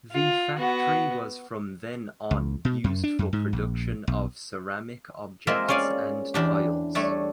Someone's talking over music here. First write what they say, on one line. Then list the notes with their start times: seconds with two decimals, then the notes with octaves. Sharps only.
The factory was from then on used for production of ceramic objects and tiles.
0.12 F4
0.58 B3 F#4
2.31 C#2
2.65 B2
2.84 F#2
3.04 D4
3.19 F#2
3.33 G#2
3.53 A#1
4.08 B1
5.47 G#3 A#3 C4 F4 A#4 E5
5.68 C#4 G#4 D5 F5 G#5
6.34 E2 D4 G4
6.95 G3 A3 D4 C#5